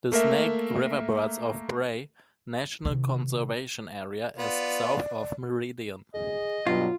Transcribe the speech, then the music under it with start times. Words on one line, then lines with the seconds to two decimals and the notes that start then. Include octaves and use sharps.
The Snake River Birds of Prey National Conservation Area is south of Meridian.
0.12 A3 A#3 A#4 E5
2.85 C3 D#3
4.38 B3 F4 D5
6.14 G#4 D#5
6.67 G2 B2 F#3 F4